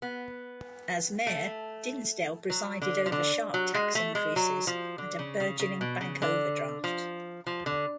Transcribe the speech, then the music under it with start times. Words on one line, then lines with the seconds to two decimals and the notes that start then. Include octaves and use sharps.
As mayor, Dinsdale presided over sharp tax increases and a burgeoning bank overdraft.
0.02 B3
1.27 A3
2.50 F#3
2.82 D3
3.06 F3
3.12 D3
3.54 F#3
3.74 G#3
3.95 A3
4.15 G#3
4.36 F#3
4.67 F3
4.98 D3
5.19 C#3
5.40 C#3
5.59 C#3
5.81 B2
6.01 C#3
6.22 D3
6.84 F3
7.47 F3
7.66 D3